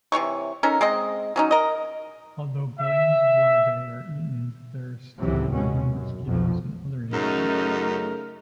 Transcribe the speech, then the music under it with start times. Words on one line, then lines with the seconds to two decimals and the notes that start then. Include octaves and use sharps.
Although billions of larvae are eaten, there are still many mosquitoes and other insects.
0.12 C3 E3 C#5 C#6
0.63 C#4 D#4 A4 A#4
0.81 G#3 C4 D#5
1.36 F#3 C#4 D#4
1.51 A#4 D#5
2.80 E5
5.19 C#2 A2 C3 E3 F#3
5.52 D#2 B2 G#3 C#4
5.89 F#2
6.25 B1 F2 D3 F3
7.13 F#2 C#3 A3 D#4 A#4